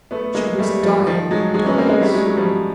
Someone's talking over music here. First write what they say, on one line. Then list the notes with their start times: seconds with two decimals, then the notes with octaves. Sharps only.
She was dying in darkness.
0.11 A3 B3
0.35 G#3 A#3
0.59 G3 A3
0.82 F3 G3
1.06 D#3 F3
1.31 F#3 G#3
1.54 F#3 G#3
1.65 B3 C#4
1.78 A#3 C4
1.89 G#3 A#3
2.01 G3 A3
2.13 F#3 G#3
2.25 F#3 G#3
2.37 F3 G3